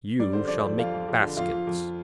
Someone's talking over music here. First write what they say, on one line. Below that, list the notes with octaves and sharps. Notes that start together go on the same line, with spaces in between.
You shall make baskets.'
G3 D5
D3 C5
F2 D4 D5
F2
F2 F4 F5
F2
F2
D3
F2 F4 F5
F2
F2